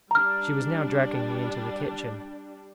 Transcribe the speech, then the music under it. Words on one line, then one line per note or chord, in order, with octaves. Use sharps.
She was now dragging me into the kitchen.
G3 D4 A#5 F6